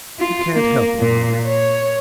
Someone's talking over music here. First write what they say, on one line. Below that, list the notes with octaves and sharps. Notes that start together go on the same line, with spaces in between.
'You can't help it, mother.
F4
A#3
A#2
C#5